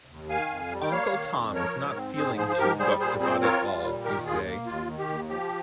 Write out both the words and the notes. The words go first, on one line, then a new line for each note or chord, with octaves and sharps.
Uncle Tom's not feeling too bucked about it all, you say?
D#2
D#3 F5 G#5
F2
G3
G5
A#3 C#5 F5
D#3
F2
F3 A#4 C#5
G#2
C4
G#2 G#4 C5
F3 G#4 C5
C5
G#2 G4 A#4
G3 G#4 C5
A#2 G#4 C5
C4 G#4 C5
F4 A#4 C#5
G3
A#2
D#3 G4 A#4
D#2 F4 G#4
A#3
D#2 F4
D#3
G4
D#2
F3 G4